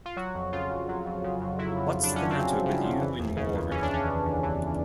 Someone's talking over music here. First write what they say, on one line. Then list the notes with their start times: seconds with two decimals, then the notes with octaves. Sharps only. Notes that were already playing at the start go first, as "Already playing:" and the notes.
What's the matter with you and Maury?
0.06 F4
0.17 F#3 F#4
0.35 F2
0.53 C#3 F4
0.70 F2
0.89 F#3
1.06 F2
1.24 C#3
1.41 F2
1.59 F#3 E4
1.77 F2
1.94 C#3
2.03 D4
2.13 F2 C#4
2.30 F#3 C4
2.48 F2
2.66 C#3
2.84 F2
3.01 E3
3.19 D#2
3.37 C#3
3.55 D#2
3.71 E3 C#4
3.83 D4
3.89 D#2 C#4
4.07 C#3
4.26 D#2
4.43 E3